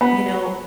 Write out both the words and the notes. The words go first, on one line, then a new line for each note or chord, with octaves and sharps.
you know,
B3